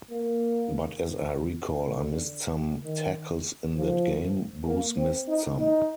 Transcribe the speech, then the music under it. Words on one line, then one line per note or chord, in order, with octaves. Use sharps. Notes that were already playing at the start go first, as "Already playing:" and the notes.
But as I recall, I missed some tackles in that game, Bruce missed some.
A#3
D3
D#3
F3
A#3
C4
D#4
D#4